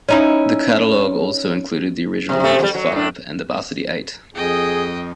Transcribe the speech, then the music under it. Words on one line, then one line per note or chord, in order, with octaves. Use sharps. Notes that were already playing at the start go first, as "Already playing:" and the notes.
The catalogue also included the Original Memphis Five and the Varsity Eight.
C#4 D#4 E4
C3
C3 A3
F#3 G3
F#3
A2 D4
F2 G#4 D#5 G5